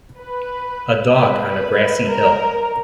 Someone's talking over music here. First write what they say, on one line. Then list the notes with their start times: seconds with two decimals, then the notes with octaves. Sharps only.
A dog on a grassy hill.
0.18 B4
1.14 B4
1.46 B4
2.09 A#4